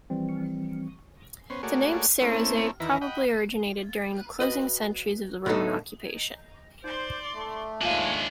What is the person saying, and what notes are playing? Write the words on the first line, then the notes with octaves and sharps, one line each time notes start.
The name "Cerizay" probably originated during the closing centuries of the Roman occupation.
E3 F3 G3 C4
B3 C#4 C5
A3 A#3 F#4 G#4 C#5 D5
A3 A#3 C4 C#4 E4
E2 D#3 E4 B4 A#5
D#5 F#5 G5 B5
F#4 B4 D#5
A2 D3 A3 B3 D#4 A4
D#4 C5 D5 C6
A3
D#2 G#3 D4 F4 E5 F5 G#5